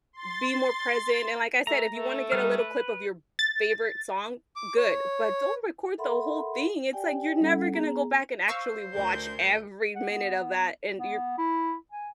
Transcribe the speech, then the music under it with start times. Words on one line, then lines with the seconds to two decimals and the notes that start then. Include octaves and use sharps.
be more present, and like I said, if you wanna get a little clip of your favorite song, good, but don't record the whole thing, it's, like, you're never gonna go back and actually watch every minute of that, and you're
0.13 C6 A6
1.67 A3 A#5
1.88 A3
2.32 G3 D#4 F6
2.59 B4
3.39 A6
4.56 D6
4.77 C#5
5.98 A4 A#4 E5 F#5 B5 C6
6.93 G4 D5 G5 G#5
7.40 G3 C#4 A4 F#5
7.73 B3 G#4 A#5
8.48 C5 F5 C#6 E6
8.93 D2 A#4 G6
9.95 F#5
10.11 B3
10.99 B3
11.38 E4
11.92 G#5